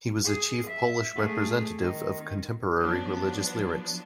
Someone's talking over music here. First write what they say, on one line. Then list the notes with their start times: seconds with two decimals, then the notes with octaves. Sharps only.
He was a chief Polish representative of contemporary religious lyrics.
0.25 G#4
0.68 E5
1.16 A3 G#4
1.80 D#3
2.79 F3 F#3 B3 D4